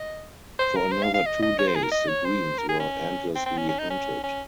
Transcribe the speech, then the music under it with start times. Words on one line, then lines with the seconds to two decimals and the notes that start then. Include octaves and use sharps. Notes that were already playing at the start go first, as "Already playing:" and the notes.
For another two days the greens were endlessly hunted.
Already playing: D#5
0.59 C5
0.76 A#4
0.92 C5
1.03 F5
1.14 F5
1.26 D#5
1.42 D#5
1.59 C#5
1.67 C5
1.75 G#4
1.83 A#4
1.91 D#5
2.08 C#5
2.25 C5
2.58 A#4
2.69 G#4
2.80 C#4
3.36 C4
3.46 C4
3.57 C#4
3.69 C#4
3.79 D#4
3.90 C#4
4.24 C#4